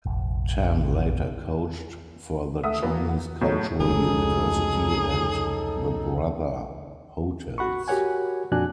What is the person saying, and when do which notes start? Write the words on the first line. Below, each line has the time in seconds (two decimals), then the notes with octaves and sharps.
Tan later coached for the Chinese Cultural University and the Brother Hotels.
0.06 F1 A#1
2.63 A3 E5 F#5 D#6
2.82 E3 A#3 B3 F#4
3.09 F#5
3.41 A2 C#3 F#3 A3
3.80 F1 C#2 F#3 D#4 G#4 A4
7.58 F#4 F#5 B5 C#6
7.88 F#4 G4 A#4 C#5 F#5 G#5
8.52 F2 A#2 D4 F#4 G#5 F#6